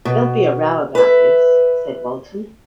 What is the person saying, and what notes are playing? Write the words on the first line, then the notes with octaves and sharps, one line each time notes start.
"There'll be a row about this," said Walton.
B2
B4 E5